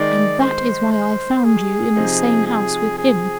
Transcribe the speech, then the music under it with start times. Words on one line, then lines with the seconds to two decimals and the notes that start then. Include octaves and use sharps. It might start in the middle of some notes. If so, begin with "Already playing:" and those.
"And that is why I found you in the same house with him."
Already playing: D#3 G#3 D#4 D5
0.41 C5
0.92 C5
1.44 G#4
1.96 C3 F3 C4 D#4
2.47 G#4
2.98 G#4